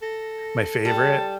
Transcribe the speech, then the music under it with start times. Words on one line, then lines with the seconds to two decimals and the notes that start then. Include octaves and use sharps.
my favorite.
0.02 A4 A#6
0.85 G3 A5